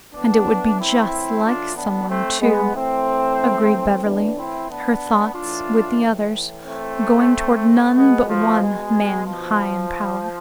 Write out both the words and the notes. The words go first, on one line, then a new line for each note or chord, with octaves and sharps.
"And it would be just like someone, too," agreed Beverly, her thoughts, with the others', going toward none but one man "high in power."
A2 E3 B3 D4
C4 E4
D4 F4
B3 D4
A3 C4
G#3 B3
A2 E3 A3 C4
B3 D4
C4 E4
B3 D4
A2 E3 D4 F4
A3 C4
B2 G#3 B3
F3 A3
G#3
F3